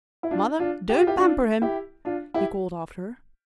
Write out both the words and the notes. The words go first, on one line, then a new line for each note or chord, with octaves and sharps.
"Mother, don't pamper him," he called after her.
E4
D4 F4
D4 F4
G4
F4
E4 G4
D4 F4
E4 G4
D4 F4
E4 G4